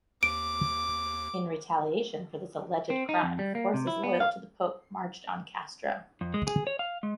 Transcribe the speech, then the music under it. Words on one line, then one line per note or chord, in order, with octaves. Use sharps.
In retaliation for this alleged crime, forces loyal to the Pope marched on Castro.
D#2 D6 D7
C4
D#4
F2
G3
A#3
C3
E4
B3
F5
F2
G#3
G#4
C#5
F5
G#3